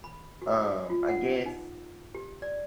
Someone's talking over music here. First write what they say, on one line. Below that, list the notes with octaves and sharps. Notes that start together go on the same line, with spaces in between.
um, I guess
B5
F#4
F4
F#5
D#4
G4
D5